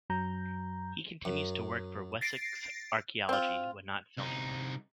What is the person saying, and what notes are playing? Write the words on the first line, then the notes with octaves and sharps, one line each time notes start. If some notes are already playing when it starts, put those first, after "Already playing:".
He continues to work for Wessex Archaeology when not filming.
F#2 F#3 A#5 G6
F#2
A6 A#6 C7 D7
C4 F4
C2 D#4